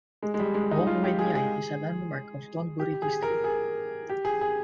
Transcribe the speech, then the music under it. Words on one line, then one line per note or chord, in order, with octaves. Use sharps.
Wong Wein Yai is a landmark of Thonburi District.
G#3
G#3
G3
G#3
D#4
F4
G4
G#4
G#4
G4
G#4
A#4
G#4
G4
G#4
G#4